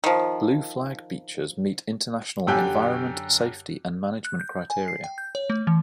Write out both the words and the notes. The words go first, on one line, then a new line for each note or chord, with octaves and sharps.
Blue flag beaches meet international Environment, Safety and Management criteria.
D#3 F3
F#2 D3 G4 G5 G#5 F#6
F#6
G6
G#5
C7
G5
G6
C#5
A3
E3